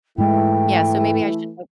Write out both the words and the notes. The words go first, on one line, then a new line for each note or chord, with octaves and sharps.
Yeah, so, maybe I should g
G#2 E3 G#3 A3 E4 G5